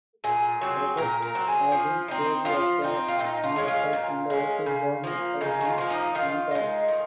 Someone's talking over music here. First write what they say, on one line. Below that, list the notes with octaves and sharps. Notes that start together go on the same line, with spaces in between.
Protests have been staged at the dam site and outside Government House in Bangkok.
A#2 G#4
F#3 C4
A#2 A#4
A#4
F#3 C4
G#4
F3
C4 D#4
F3 F4
C4 D#4
F4
A#2 D#4
F4
G#3 C#4
F4
A#2
G#3 C#4
C#3
F3 A#3
C#3 D#4
F#4
F4
F3 A#3
D#4
D#3 F4
G#3 D#4
D#3